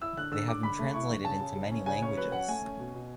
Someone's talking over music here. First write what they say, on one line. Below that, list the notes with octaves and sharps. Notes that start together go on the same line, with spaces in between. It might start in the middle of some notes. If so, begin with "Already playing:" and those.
They have been translated into many languages.
E4 E6
D3 F#6
D3 E6
D3 D6
D3 B5
A3
E4 C#6
D3
C#3 A5
C#3
C#3
C#4
C#3 G#5
C#4 C#5
F#3 B4
C#4 F#5
A3 G#5
C#4
B2
B2